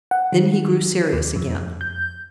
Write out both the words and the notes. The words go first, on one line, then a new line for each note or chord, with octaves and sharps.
Then he grew serious again.
F#5
D#3
D#2
F2
G6